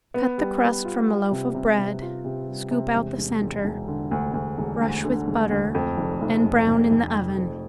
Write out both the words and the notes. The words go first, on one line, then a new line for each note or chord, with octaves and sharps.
Cut the crust from a loaf of bread, scoop out the center, brush with butter and brown in the oven.
B3
G3
B3
F4
G3
C3
C3
C3
F4
C3
G3
C3
E1
E1
E1
E1
D3
D2
D2
E1
D2
D3
E1
D2
F2
F1
F1
F1
F1
F1
F1
F2